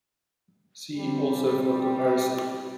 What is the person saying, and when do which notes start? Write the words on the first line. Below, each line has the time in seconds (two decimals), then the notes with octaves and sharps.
See also for a comparison.
0.97 G3 C4